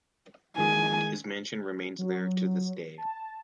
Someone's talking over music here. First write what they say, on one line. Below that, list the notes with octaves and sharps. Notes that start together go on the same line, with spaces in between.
His mansion remains there to this day.
D#3 G#3 G#4 G#5
F#3
A5